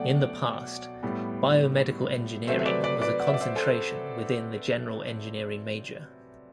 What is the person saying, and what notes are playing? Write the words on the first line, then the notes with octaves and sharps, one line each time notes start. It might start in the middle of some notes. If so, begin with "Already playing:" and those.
In the past, Biomedical Engineering was a concentration within the general engineering major.
Already playing: B2 F#3 A3 D5 F#5 G5
A2 G3 B3
C3 F#3 A3 C5 E5
E5
B4 D5
B4 D5
B4 D5
F#5
E5
D5
C5 E5
A4 C5